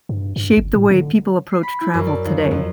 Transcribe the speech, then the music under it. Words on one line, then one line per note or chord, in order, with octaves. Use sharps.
shape the way people approach travel today?
G2
G2
G1
A2
D3
C7
B5
E4
F#2
D5
D#2
C#5
F2